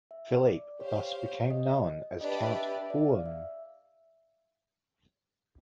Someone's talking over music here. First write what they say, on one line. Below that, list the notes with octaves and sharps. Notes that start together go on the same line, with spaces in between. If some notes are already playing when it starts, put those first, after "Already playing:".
Philippe thus became known as Count Hoorn.
E5
D5
G4 C5 C#5 F5
C#5
D#5
D4 G4 B4 D5 D#5
E5
E5
E5
D5
F5
E5